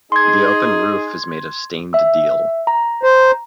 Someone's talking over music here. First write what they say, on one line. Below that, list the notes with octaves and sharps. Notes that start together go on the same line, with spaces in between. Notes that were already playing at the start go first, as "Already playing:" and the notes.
The open roof is made of stained deal.
D#4 G#4 C6 G#6
E5 E6
A#5
C5